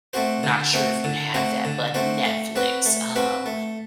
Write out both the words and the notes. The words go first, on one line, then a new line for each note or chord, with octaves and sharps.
Not sure if you have that, but Netflix, um,
A3 C4 F#4 C5
D3
A3 C4 F#4 C5
D3
A3 C4 F#4 C5
D3
A3 C4 F#4 C5
A3
C4 F#4 B4
A3
C4 F#4 B4
A3